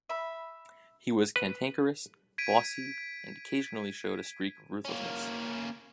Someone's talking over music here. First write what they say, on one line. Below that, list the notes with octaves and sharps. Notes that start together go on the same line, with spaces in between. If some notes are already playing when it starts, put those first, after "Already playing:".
He was cantankerous, bossy and occasionally showed a streak of ruthlessness.
E5 B5
B4
G#6 B6 D7 D#7
A#3 C#4